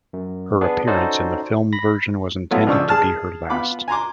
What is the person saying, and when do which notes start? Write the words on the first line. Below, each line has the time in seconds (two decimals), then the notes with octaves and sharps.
Her appearance in the film version was intended to be her last.
0.13 F#2
0.61 B3 D4 G#4
0.87 C#4 D#4 F#4 A4 C5 D5
1.73 B5 A#6
2.51 F#3 A3 B3 E4 F4
2.67 C#2 F3 D4 C#6 E6
2.89 G#4 A5 F6
3.50 B3 F4 B5 D6
3.88 G#5 A#5 C6 D6